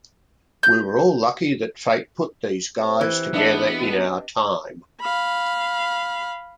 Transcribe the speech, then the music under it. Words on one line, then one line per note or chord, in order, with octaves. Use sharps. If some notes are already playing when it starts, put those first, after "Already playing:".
We were all lucky that fate put these guys together in our time.
G6
C3
E3
B3 D4 D#5 E5 A5
F5 B5